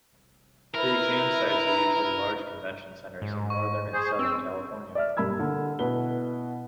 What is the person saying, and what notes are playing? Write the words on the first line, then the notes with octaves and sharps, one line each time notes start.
The exam sites are usually large convention centers in Northern and Southern California.
E4 A#4 B4
G#2
C#6
G#4 C5
C4 E6
D5 E5 F6
G2 A#3 B5 E6 G#6
D3
B2 E4 B4 G7